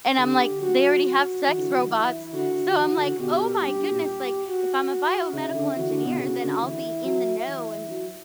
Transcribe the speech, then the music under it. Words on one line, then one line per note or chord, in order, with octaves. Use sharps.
And I'm like, "They already have sex robots," so I'm like, "Oh my goodness, like, if I'm a biomedical engineer, then I'll be in the know and
D3 G4
F#3 F#4
F#4
E3
D3
F#3
E3
E4
D3 F#4
E3 F#4
D3
B2 G4
G2 G4
G2
A#2
G4
F#4
C#3 E4
D3
E3 F#4
D3
B2
C#3 F#4
D3
E3 E4
F#3
E3
F#3